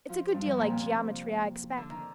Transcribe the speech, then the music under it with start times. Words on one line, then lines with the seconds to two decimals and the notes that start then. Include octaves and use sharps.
It's a good deal like geometry, I expect.
0.09 F3 F4
0.33 G2 G3
0.45 F2 F3
0.57 A#2 A#3
0.70 C3 C4
0.81 C3 C4
1.77 D3 D4
1.90 D#3 D#4